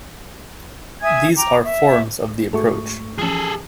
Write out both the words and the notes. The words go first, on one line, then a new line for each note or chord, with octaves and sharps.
These are forms of the approach.
E5 G#5 D#6 G#6
G5 A#5 D6
E5
G#2 A3 F#4 G#4 A4 C#6
E3 F3 C#4 G#4 A4